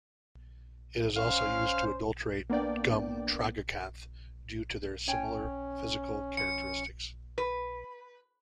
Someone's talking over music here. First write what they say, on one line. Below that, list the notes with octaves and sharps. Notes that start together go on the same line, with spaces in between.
It is also used to adulterate Gum tragacanth due to their similar physical characteristics.
C#4 C5 F5
A#3 B3 D4 D5 G5
C#4 C#5 G5 G#5
F3 C#7
B4